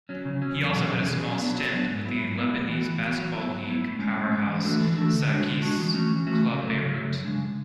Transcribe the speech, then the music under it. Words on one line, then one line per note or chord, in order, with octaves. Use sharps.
He also had a small stint with Lebanese Basketball League powerhouse Sagesse Club Beirut.
F#3 C#4
C#3
F#3 C#4
E2
B2 F#3 C#4 G#4
E2
B2 F#3 C#4 G#4
F#3
B3 D4
F#3
B3 D4
G#2
F#3 B3 E4
G#2
F#3 B3 E4
A2
E3 B3 F#4
A2
E3 B3 F#4
F#3
B3 E4
F#3
B3 E4
A2
G#3 C#4
A2
G#3 C#4
E3
A3 D4 F#4 A4
E3
A3 D4 F#4 A4
D3
G#3 D4 F#4
D3
G#3 D4 F#4
E3
A3 C#4 F#4
E3
A3 C#4 F#4
C#3
F#3 A3
C#3
F#3 A3
F#2
C#3 G#3 D4